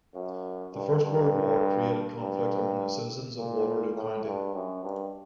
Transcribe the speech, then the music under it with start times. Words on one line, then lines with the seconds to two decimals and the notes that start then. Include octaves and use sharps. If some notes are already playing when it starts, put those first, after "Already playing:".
The First World War created conflict among the citizens of Waterloo County.
0.14 F#2
0.74 G2
1.03 G2
2.20 G2
3.37 A#2
3.95 A2
4.25 G2
4.54 F#2
4.84 G2